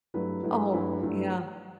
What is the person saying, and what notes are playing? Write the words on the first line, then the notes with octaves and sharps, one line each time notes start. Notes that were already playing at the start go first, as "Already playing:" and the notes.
Oh, yeah.
G2 F#3 A3 E4 B4
G2 F#3 A3 E4 B4
G2 F#3 A3 E4 B4
G2 F#3 A3 E4 B4